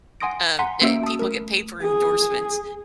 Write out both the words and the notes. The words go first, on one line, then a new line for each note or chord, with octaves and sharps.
um, that people get paper endorsements.
F#5 G#5 C6 D#6 A#6 D7
F#5 G#5 A#5 C6 B6
A#3 C#4 F#4 E5 E6 D7
A5 D#6
A3 A#4
G#4